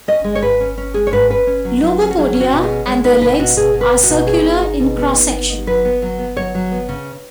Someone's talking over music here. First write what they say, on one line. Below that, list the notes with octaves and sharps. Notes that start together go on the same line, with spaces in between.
Lobopodia and their legs are circular in cross-section.
C#4 D#5
G#3
C#5
G#2 B4
C#4
C#4
G#3 G#4
C#5
G#2 B4
C#4 B4
C#4
F#3
F#3
C#4
F#4
F#3 G#4
C#4
F#4
B2
G#4
C#4
G#3 C#5
D#4 B4
B2 B4
B2 F#4
B2 G#4
B2
B4
B2
F#4
B2
B3 G#4
D#4
D#4
B2
B3
D#4
B3
D#4
F#3 B4
B3
F#3
B3
F#3 C#5
F#3
B3
C#3